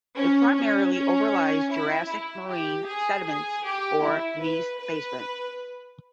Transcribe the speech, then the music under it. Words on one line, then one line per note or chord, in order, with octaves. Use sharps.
It primarily overlies Jurassic marine sediments or gneiss basement.
C#4
C#4
C#4
E4
E4
G4
G#4
G#4
G4
E4
B4
B4